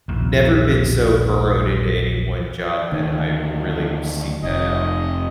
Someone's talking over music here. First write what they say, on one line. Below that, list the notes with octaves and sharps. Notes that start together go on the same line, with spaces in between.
never been so burrowed into any one job that I really seek that out.
A#1 D#2
D2 D#3
F1 D#5